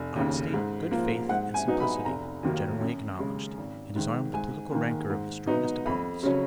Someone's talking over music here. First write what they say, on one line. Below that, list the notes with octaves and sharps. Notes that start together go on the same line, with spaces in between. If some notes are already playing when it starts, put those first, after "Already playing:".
His honesty, good faith, and simplicity were generally acknowledged, and disarmed the political rancor of the strongest opponents.
Already playing: F1
D#2 C#3
G#2
F3 A#3
G#2 F#5
G#5
F#3 B3 D#4
B5
F1 A#5
D#2 D#3 F#3 A#3
F#2
C#3 G#3
G#1
G#2 D#3
G#2 G#5
D#3 A#3
G#2
F#3 B3 D#4
F2 B5
C#3 F#3 C#4